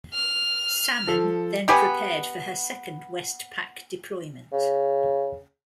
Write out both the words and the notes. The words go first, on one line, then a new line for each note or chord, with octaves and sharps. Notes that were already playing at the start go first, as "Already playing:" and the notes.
"Salmon" then prepared for her second WestPac deployment.
F6
F3 A4
B3 G4 B4 G#5
C#3